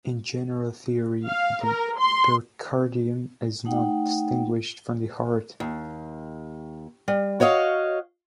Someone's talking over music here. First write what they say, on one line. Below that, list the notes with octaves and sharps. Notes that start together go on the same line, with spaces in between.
In general theory, the Pericardium is not distinguished from the Heart.
F5
A#4
C6
A3 D#4 F#5 G5
D#2
G3
F#4 C#5 D#5 F5